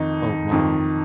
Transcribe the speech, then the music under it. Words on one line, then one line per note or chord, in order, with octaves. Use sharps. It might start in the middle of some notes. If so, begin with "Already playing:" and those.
Oh wow.
Already playing: F2 D#3 D#4
F2 D#3